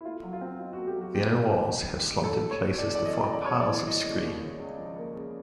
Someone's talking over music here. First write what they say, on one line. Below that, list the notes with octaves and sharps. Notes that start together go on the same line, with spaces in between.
The inner walls have slumped in places to form piles of scree.
E4
A3 F4
F#3
F4
C4
D#4 F4
F#4
A3
G4
F#3
F#4
D#3 G4
G#2
G3
C4
D#3
G#2
E3 A4
C#3
C#5
G3
C#3 D5
E3 D5
D#5
C#3
C#3 D5
C#5
D#2
D5
E3
G3 D#5
C#3
D#2
C#3
C#2
F3
A#3
C#3